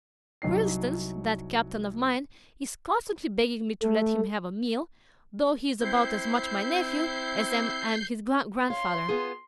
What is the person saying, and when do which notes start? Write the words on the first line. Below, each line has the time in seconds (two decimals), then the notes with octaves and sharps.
For instance, that captain of mine is constantly begging me to let him have a meal--though he is about as much my nephew as I am his grandfather.
0.42 C2 F#3 D#4 C7
3.83 A3
5.81 C4 E4 G6 C7
8.70 C#5 F5 C6
9.09 B3 F4 G#4